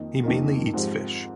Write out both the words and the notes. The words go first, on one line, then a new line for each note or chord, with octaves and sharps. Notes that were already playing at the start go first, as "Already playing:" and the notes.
He mainly eats fish.
Already playing: F2 D#3 A#3 D#4
F2 D#3 A#3 D#4 A#4
G#2 F3 C4 G4 C5